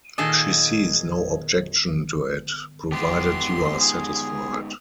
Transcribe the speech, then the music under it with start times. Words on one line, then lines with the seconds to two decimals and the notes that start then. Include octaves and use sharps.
She sees no objection to it, provided you are satisfied.
0.18 A#2 D#3 G#4 A4 D#5
2.92 G#2 B3 G4 C6
3.80 G#4